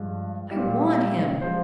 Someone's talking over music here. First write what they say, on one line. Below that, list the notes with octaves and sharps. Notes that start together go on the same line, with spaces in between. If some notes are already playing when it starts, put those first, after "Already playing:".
I want him.
Already playing: G2 F3 G#3
G3
A#2
F3 G#3 C5